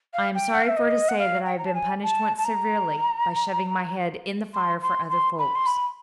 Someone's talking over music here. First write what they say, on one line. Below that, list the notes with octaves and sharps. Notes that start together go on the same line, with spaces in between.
I am sorry for to say, that I have been punished once severely, by shoving my head in the fire for other folks.
F5
G5
F#5
F5
E5
D#5
F#5
F5
G5
A#5
A5
G#5
A5
A5
A#5
C6
C6
C6
B5
C6
B5